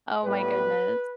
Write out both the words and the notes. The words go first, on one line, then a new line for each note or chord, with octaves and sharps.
Oh my goodness.
A2 G3 B3 B4